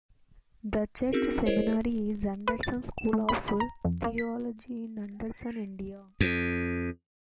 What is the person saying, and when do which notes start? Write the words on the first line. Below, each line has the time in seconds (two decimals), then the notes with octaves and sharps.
The church's seminary is Anderson School of Theology in Anderson, Indiana.
1.13 C4 C#4 D#4 F#4 G#4 A#4
1.46 E4 G#4 A#4 C5 C#5 D#5
2.48 B4
2.63 A6
2.98 E7
3.13 A3
3.29 B5
3.48 B5
3.60 A#5
3.85 F2
4.04 A#3
4.18 B6
6.20 F2